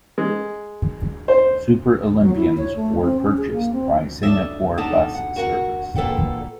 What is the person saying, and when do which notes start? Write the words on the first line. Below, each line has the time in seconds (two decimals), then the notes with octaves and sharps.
Super Olympians were purchased by Singapore Bus Service.
0.18 G#3
1.28 C5
2.20 F#3
2.35 E4
2.58 C#5
2.76 A3
3.01 C4
3.20 C#4
3.37 G#4
3.53 A#3
3.72 C4
4.23 D4 A4 D#5 E5
4.78 B3 D4 D#4 A4 D#5 A5
5.14 F#5
5.36 F#4 A#4 F#5
5.96 E2 A#2 A4 B4 F#5 G5